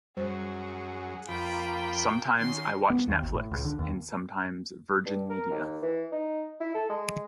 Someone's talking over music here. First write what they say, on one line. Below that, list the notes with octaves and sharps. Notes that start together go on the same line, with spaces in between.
Sometimes I watch Netflix, and sometimes Virgin Media.
F#2 G3 G#4 C5 F#5
F2 A#3 F4 G5 B5
D#3 C#4 F#4 C6
B3
D#2
G#1
A2
C#2
D3
D#2
G2
A#4
D#2
E3
D#4
E4
A4
G#3